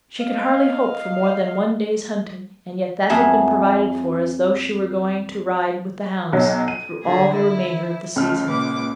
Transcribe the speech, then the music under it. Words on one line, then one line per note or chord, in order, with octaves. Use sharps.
She could hardly hope for more than one day's hunting and yet that had been provided for as though she were going to ride with the hounds through all the remainder of the season.
D#5 F5
F2 F#3 G#4 E5
B1 F#3
D#7
D3 G#4
E4
C#2 A3 F6
A#2 B4 D6